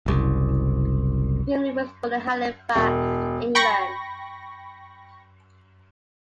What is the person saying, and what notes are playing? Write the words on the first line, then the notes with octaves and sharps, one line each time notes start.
Grimley was born in Halifax, England.
F#1 C2
E1
G5 B5 C#6 A#6